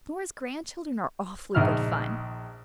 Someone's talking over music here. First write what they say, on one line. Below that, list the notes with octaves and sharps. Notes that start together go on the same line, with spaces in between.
Nora's grandchildren are awfully good fun.
A#1 D#3 E5 F6